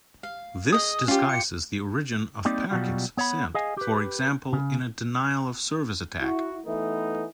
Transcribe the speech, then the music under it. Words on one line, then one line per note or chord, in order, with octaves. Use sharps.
This disguises the origin of packets sent, for example in a denial-of-service attack.
F5
G#4 D#5 D#6
C#4 F4 G4
C#7
G3 A#3 C4 D#4 D5
B2 E3 F#3 G3 F4 F#4
B3 C#5 F#5 B5
G#4 D#5 F5 G#5
G4 B4
C#3
E4 F#4
E3 A3 B3 D#4